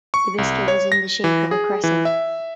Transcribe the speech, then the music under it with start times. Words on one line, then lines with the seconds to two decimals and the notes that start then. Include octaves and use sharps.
The biscuit was in the shape of a crescent.
0.14 C#6
0.38 C2
0.68 C#5
0.92 A#6
1.24 E3
1.51 G#4
1.84 E3
2.05 E5